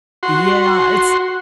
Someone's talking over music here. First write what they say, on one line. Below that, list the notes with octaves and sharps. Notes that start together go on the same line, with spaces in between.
Yeah, it's
F#4 C6